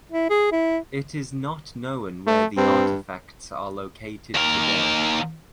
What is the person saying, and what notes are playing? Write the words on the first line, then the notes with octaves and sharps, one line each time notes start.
It is not known where the artifacts are located today.
E4
G#4
E4
A3
G2 C4
D#2 A#4